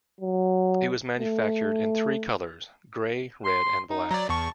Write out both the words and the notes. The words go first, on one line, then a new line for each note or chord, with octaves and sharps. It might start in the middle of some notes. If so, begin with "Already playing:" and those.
It was manufactured in three colors: grey, red, and black.
F#3
A3
C6
D#4
F#3 D5 A#5
E2 A5 C#6